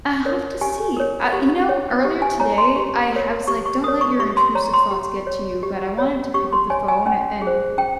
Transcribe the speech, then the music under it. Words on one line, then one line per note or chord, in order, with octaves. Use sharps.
I'll have to see, I you know, earlier today, I ha was like, "Don't let your intrusive thoughts get to you," but I wanted to to pick up the phone a and,
A#4 C#5
G4 G#5
A#4 C#5
G4
C#5
G4
G#5
C#5 A#5
C6
G4
A#4 C#5
G4 C#6
C#6
A#4 C#5 D#6
C#6
G4 C#6
C6
C#5 A#5
C6
G4
C#5
G4
C#5
G4 C#6
C6
C#5 G#5
G#5
C#4 G#5
G#4
C5
C#4 G5